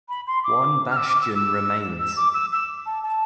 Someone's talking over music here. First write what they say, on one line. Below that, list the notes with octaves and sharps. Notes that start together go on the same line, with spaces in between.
One bastion remains.
B5
C6
D6
F6
E6
D6
E6
E6
E6
D6
E6
E6
A5
A5